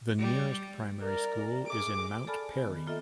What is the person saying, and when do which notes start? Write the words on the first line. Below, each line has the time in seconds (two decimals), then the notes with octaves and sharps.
The nearest primary school is in Mount Perry.
0.19 G3
1.02 A#4 D5
1.67 G#4 D6
2.27 A4 D5 G#5 A5 B5 F6
2.63 D#3 B3
2.87 A#3 F4 A4 D#5 E5